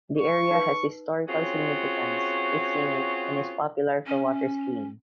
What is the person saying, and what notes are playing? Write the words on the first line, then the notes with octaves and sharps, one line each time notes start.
The area has historical significance, is scenic and is popular for water skiing.
C#6
D#4 B4
C4 C#4 F4 F#4 G#4 C#5
C#4